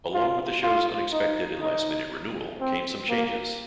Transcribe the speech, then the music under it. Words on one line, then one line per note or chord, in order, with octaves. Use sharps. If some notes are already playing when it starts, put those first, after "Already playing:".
Along with the show's unexpected and last-minute renewal came some changes.
F4
F4
D#4
D#4
C4
A#3